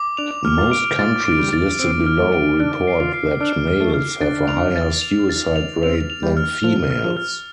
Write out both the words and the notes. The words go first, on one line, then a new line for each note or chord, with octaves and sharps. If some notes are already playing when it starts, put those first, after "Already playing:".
Most countries listed below report that males have a higher suicide rate than females.
Already playing: D6
D4 F7
F6
F4
D7
F4 A6
D7
G3
A6
C4 D7
F6
A3
D7
D4 F6
C7
F4
C7
D4 F6
F6
A3
F6
D4 A6
F7
A6
F7
A6
F7
C4 F7
F7
G3
F6
F3 F7
F6
F3
F6